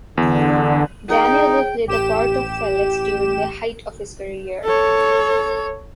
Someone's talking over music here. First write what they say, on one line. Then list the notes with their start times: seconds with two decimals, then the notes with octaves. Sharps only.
Daniel will play the part of Felix during the height of his career.
0.17 E2 D3
1.10 D#4 G#4 G5
1.86 A1 G4 E7
4.64 A4 C#5